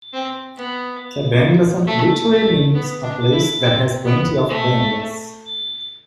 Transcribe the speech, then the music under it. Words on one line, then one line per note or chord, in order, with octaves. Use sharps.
Kabanglasan literally means a place that has plenty of Banglas.
C4
B3
A3
A3
B3
D4
E4
C4
B3
A3